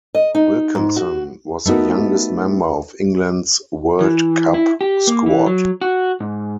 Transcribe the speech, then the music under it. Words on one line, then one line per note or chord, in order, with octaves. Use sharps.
Wilkinson was the youngest member of England's World Cup squad.
D#5
D#4
G#2
F#4
A3 B3 D#4 F#4 A#4
E3
E4
G4
A#3
E3
F#3
F#4
G#2